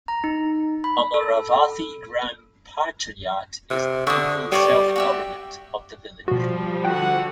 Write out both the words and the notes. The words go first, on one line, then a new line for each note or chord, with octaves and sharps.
Amaravathi gram panchayat is the local self-government of the village.
A#5
D#4
B5
A4
C3
D3 C#6 D#6
G3 C#5 D5 C#6
F#4 G4 E5
B2 F3 G3 F#4
D3 F#4 F#5 G5